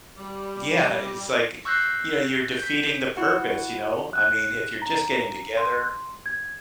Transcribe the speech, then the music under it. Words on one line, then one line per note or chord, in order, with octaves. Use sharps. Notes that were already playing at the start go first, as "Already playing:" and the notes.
Yeah, it's like, you know, you're defeating the purpose, you know? I mean, if you're just getting together,
G3
C#6 E6 F#6 G6 A#6 C7
G6 B6
E4 F#4 F#5
F#6
A#5
C6
G#6